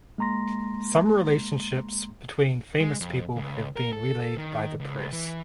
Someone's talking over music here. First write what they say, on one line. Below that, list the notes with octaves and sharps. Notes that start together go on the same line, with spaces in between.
Some relationships between famous people have been relayed by the press.
G#3 A#3 A#5 C6 A#6
G#3
F2
C#2
A#4
A4
D#3
C#2
E3